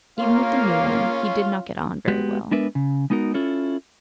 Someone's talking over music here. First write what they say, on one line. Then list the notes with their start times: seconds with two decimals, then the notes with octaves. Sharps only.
Even with the new one he did not get on very well.
0.19 A#3 C#4 F4 F5
2.08 G#3 B3 F#4 G4
2.51 G#3 B3 D4 A#4 B4 E5
2.75 C#3
3.10 G#3 B3 D#4 F#4 A#4
3.34 C#4 E4 F4 A4 C#5